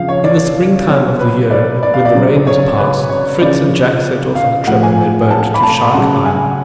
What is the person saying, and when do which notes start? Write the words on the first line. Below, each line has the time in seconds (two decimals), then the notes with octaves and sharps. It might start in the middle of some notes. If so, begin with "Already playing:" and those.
IN the spring time of the year, when the rain was past, Fritz and Jack set off on a trip in their boat to Shark Isle.
Already playing: C#3 F3 F5
0.08 C#5
0.24 D5
0.88 B2 F#3 C#5
1.19 B4
1.51 D5
1.83 D5
1.94 F5
2.05 D5
2.14 C#3 F#3
2.47 C#5
2.78 B4
3.09 C#5
3.41 C#3 F3 D5
4.35 F5
4.67 A2 F3 F#5
4.83 G#5
5.30 A5
5.54 B5
5.63 A5
5.94 C#3 F#3 F#5
6.26 G#5